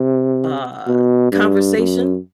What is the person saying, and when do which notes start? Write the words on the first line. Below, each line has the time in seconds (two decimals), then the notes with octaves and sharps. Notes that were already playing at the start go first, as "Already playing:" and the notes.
uh, conversation,
Already playing: C3
0.86 B2
1.32 G2
1.77 F#2